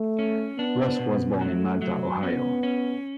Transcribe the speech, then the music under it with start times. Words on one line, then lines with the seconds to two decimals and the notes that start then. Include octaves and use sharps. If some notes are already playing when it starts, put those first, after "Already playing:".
Rusk was born in Malta, Ohio.
Already playing: A3
0.19 C#4
0.59 B3 D4
0.99 B2
1.41 F#3 A3
1.82 F#3
2.23 B3 C#4
2.63 C#4